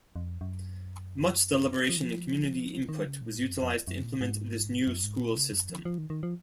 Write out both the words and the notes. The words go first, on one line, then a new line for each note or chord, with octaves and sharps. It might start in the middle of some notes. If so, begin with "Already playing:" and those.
Much deliberation and community input was utilized to implement this new school system.
F2
F#2
F3
D#3
F3
D#3
C#3
A#2
G#2
F#2
F2
F#2
A#2
G#2
F#2
G#2
A#2
C#3
F#2
F3
F3
D#3
D#3
F3